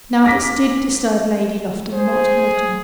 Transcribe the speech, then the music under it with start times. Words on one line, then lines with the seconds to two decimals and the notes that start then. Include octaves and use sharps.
Now this did disturb Lady Lufton not a little.
0.24 D6 A#6 B6
1.93 G#4 C5